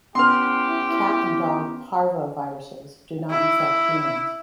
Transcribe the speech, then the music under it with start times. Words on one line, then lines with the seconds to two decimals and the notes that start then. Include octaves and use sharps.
Cat and dog parvoviruses do not infect humans.
0.15 B3 C#4 E4 G4 B4 C6 F6
3.31 E4